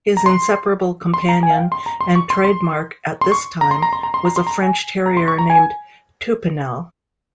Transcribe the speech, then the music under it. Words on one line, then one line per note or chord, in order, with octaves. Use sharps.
His inseparable companion and trademark at this time was a French terrier named Toupinel.
A#5
C6
C6
A#5
G#5
F5
G5
C6
A#5
C6
C#6
C6
C6
C6
C#6
A#5
C6
A#5
C6
A#5
C6
A#5
C6
A#5
G#5
A#5
C6
C#6
A#5
G#5